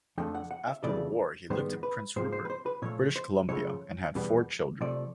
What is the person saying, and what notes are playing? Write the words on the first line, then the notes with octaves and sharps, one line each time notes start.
After the war, he lived in Prince Rupert, British Columbia and had four children.
F2 D3 F3 A3 G5
F#5
F#5
E5
F2 C#3 E3 A3 D5
G#2 D#3 G3 B3 C5
B4
G#2 F3 A#3 C5
C5
B4
C5
B4
A#2 F3 A3 C#5
C5
F#2 C#3 F3 A3 C#5
E2 B2 G3 B3
C3 F3 A3 D5